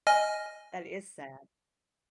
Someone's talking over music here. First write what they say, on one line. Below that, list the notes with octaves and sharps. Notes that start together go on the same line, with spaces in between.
That is sad.
D#5 G#5 F6